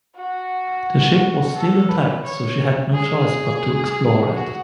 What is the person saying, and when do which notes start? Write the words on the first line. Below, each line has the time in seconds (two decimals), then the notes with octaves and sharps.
The ship was still intact so she had no choice but to explore it.
0.15 F#4
1.55 A4
1.89 B4
2.24 C#5
2.94 G#4
4.32 F#4